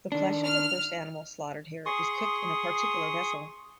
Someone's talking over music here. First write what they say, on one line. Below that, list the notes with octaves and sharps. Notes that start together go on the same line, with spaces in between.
The flesh of the first animal slaughtered here is cooked in a particular vessel.
D#3 D4
F6
G#4 C6 C#6 D#6